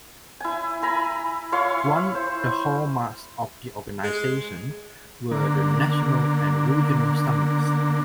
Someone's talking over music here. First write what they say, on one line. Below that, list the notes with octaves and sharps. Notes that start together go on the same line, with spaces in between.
One the hallmarks of the organization were the national and regional summits.
E4 G#5
E4 G#5 A#5 B5
E4 C#5 F5 C6
C5
G#3
D3 A#3